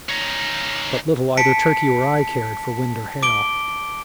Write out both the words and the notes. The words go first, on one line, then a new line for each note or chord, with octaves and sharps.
But little either Turkey or I cared for wind or hail.
C#4 D#4
A5 B6 C#7 D7
D6 D7 G7